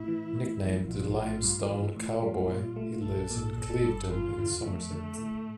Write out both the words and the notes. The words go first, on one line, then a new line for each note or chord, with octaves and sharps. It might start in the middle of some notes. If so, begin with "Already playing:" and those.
Nicknamed The Limestone Cowboy, he lives in Clevedon in Somerset.
Already playing: A2 E4
E3
A2
F3
A#1 F4
A2
G2
E3
A2 F4
G3
A#2
A3
A#1 A4
A#2
G1 A4
G2
E2 F4
D3
F2 A3
D3
A2